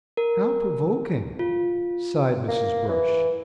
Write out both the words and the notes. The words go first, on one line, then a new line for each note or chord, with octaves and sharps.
"How provoking!" sighed Mrs. Brush.
A#4
F4
A#3
E3